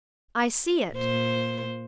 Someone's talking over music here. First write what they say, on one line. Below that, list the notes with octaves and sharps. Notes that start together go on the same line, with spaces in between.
I see it!
A#2 C5